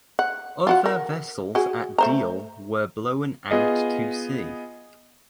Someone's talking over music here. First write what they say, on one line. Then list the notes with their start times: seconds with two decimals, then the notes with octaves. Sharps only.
Other vessels at Deal were blown out to sea.
0.19 F#5
0.67 F4 F#4 F#5
0.86 A#4
1.55 F#4 G#4
1.98 A3 C5 A#5
3.51 B3 F4 G#4 D#5